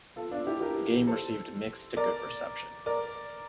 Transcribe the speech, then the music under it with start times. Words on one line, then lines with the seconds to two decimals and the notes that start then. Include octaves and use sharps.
The game received mixed to good reception.
0.16 F4 A4
0.31 D4 F4
0.46 E4 G4
0.61 G4 A#4
1.07 A4 C5
1.97 A#4 D5
2.86 A#4 D5